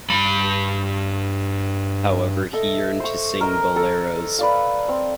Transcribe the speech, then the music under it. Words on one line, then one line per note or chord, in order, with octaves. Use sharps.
However, he yearned to sing boleros.
G2 B5
A4 D#5 E5
C5 C#6
A#4 D#5 A#5
A4 A#4
B4 D5 F5
C4